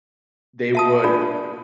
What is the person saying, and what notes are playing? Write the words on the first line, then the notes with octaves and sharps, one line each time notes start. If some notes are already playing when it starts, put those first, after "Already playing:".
they would
E5 A5 D#6
D4 F4 D5